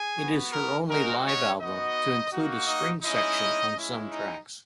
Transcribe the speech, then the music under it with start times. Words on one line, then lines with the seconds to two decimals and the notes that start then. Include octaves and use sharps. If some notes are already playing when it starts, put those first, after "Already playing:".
It is her only live album to include a string section on some tracks.
Already playing: G#4 G#5
0.18 B3 F#4
0.52 A#4
0.88 G#3 D#4 F#4 A#4
1.24 C#4 C#5
1.60 B3 D#4 F#4 D#5
2.31 A#3 D#4 F#4
2.67 D#4 D#5
3.03 G#3 C#4 D#4 E4 D#5
3.75 G#3 C#4 E4
4.11 D#4 D#5